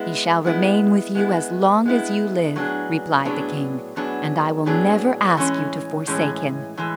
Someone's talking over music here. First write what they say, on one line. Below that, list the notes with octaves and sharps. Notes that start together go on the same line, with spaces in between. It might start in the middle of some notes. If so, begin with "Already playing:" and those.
"He shall remain with you as long as you live," replied the king, "and I will never ask you to forsake him."
Already playing: G#3 B3 E4
G#3 B3 E4
G#3 B3 E4
G#3 B3 E4
A2 F#3 B3 D4 G#4
A2 F#3 B3 D4 G#4
A2 F#3 B3 D4 G#4
A2 F#3 B3 D4 G#4
A2 E3 G#3 C#4
A2 E3 G#3 C#4
A2 E3 G#3